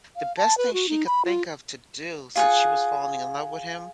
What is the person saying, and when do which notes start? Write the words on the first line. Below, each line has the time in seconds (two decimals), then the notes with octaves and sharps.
the best thing she could think of to do, since she was falling in love with him,
0.16 F5
0.37 A5
0.58 B4
0.73 F#4
0.89 D#4
1.07 B5
1.25 F4
2.36 F4 G#4 F#5